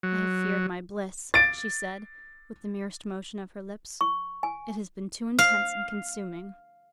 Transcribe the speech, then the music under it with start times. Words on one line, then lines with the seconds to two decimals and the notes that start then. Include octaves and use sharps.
"I have feared my bliss," she said, with the merest motion of her lips. "It has been too intense and consuming."
0.03 F#3
1.34 A6 D7
4.01 C#6
4.43 G#5
5.39 F5